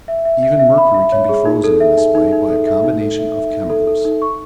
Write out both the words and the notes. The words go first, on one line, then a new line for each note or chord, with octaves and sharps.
Even mercury can be frozen in this way by a combination of chemicals.
E5
E5
E5
E5
B5
E5
C#5
G#4
D#4
A4
E5
D#4
D#4
D#4
A4
E5
D#4
A4
E5
E5
D#4
A4
A4
D#4
C#6